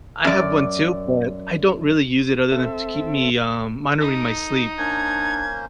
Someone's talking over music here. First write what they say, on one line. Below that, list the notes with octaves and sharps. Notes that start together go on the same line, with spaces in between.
I have one too, but, I don't really use it other than to keep me, um monitoring my sleep.
F#2 D5
C4 A4 E5
D#4 A4
A#3 C#4 D4 C5 G#6